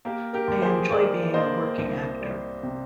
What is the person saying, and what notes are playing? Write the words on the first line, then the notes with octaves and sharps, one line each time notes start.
I enjoy being a working actor.
A#3 G4 A#4
G4 A#4
D#2
G#4 C5
D#2 A#4 D5
A#3 C5 D#5
C2
G3
C3